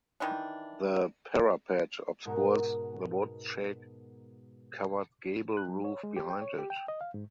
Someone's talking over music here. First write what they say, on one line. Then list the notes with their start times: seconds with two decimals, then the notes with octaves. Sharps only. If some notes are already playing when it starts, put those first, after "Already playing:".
The parapet obscures the wood shake covered gable roof behind it.
0.20 D#3 E3 D4
2.25 G#2 B2 F#4 A#4
5.57 F#6
5.69 F#3
5.84 C#5
6.03 G#3
6.17 G4
6.30 G5
6.41 C#5
6.59 G4
6.70 G5
6.88 D#5
7.01 F5
7.14 G#2